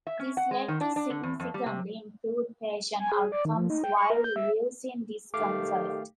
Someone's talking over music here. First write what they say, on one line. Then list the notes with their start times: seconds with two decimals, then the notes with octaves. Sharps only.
This led to significantly improved patient outcomes while reducing discomfort.
0.07 E5
0.20 C#4
0.37 F#5
0.51 G#3
0.68 D#3
0.81 D4
0.96 D4
1.10 D3
1.23 E2
1.40 F2
1.54 G3
1.66 C3
3.00 G#5
3.12 G#4
3.32 D5
3.45 D#3
3.57 F3
3.70 D#4
3.84 G5
3.97 C#6
4.10 A#4
4.24 G6
4.36 E5
5.34 B1 D#3 A3 G4 F5 D6